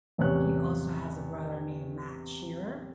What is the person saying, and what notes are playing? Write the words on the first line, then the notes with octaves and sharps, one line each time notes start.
He also has a brother named Matt Shearer.
A1 E2 C3 C#5 F#6